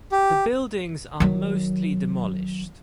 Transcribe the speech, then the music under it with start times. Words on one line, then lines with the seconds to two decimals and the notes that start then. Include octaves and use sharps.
The buildings are mostly demolished.
0.12 G4
1.20 D#3 F#3